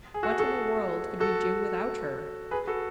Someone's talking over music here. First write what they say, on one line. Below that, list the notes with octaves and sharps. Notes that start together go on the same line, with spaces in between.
What in the world could we do without her?
G#4
F#4 A4
F#4 A4
F#4 A4
G#4 B4
F#4 A4